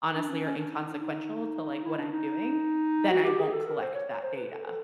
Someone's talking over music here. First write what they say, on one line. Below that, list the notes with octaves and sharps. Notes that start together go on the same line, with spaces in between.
honestly are inconsequential to like what I'm doing, then I won't collect that data."
D4
C#4
C#4
D4
D#4
D#4
D4
D#4
E4
D4
D#4
F#4
G4
G#4
A4
A#4
C5
C#5
C#5
C5
B4
A4
A4